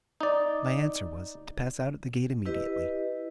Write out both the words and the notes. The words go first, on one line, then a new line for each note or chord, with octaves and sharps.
My answer was, to pass out at the gate immediately.
D#4 D5
E4 G4 B4 D#5